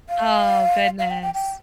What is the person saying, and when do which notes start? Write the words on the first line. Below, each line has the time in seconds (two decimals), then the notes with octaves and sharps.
Oh goodness.
0.09 F5
0.99 F5
1.10 G5
1.22 G5
1.34 G5